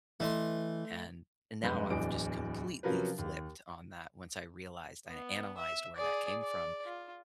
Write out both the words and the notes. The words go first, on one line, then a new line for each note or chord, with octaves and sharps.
and n now, I've just completely flipped on that, once I realized, and I analyzed where that came from.
E3 A3 D#5 C6
F1 G2 G#3 B4 G6
D1 E2 D4 D#5 D7
C3 F3 F#3 C#4 A#4 B4
D#2
B3
E5
G#4 D5
D5
F4